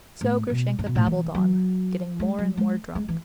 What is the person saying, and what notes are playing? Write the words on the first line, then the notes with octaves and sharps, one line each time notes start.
So Grushenka babbled on, getting more and more drunk.
A2
B2
A2
B2
A2
E3
F#3
G#3
F#3
G#3
G#3
E3